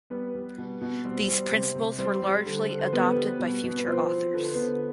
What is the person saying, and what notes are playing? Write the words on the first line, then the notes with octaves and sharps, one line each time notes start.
These principles were largely adopted by future authors.
G3 B3 B4
G3
B2
B2
G3 C4 C5
G3
C3
C3
G3 C4 C5
G3
D3
D3
C5
G3 B3 B4
G3
B2
B2
B4
F3 C4 C5
F3
D3 B4
C5
D3 B3 B4